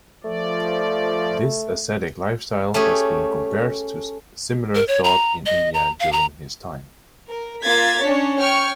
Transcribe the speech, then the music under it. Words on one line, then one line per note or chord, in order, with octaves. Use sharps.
This ascetic lifestyle has been compared to similar thought in India during his time.
F3 A3 D5
A3 C#4 G4 G#4
A#4
C#5
A#5
D#5
A#5
F5
A#5
A#4
A#3 F4 G#6 A6 B6
C#4 D4 C#5
C#5 G5 C#6 F6